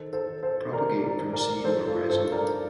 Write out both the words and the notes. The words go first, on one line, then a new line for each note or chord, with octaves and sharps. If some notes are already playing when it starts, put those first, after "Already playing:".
Propagate from seed or rhizome.
Already playing: D#3 A4 C5
A4 C5
D#3
A4 C5
D#3 A#4 D5
A#4 D5
D#3
A#4 D5
F3 A4 C5
F4 A4
G2 A4 C5
A#4 D5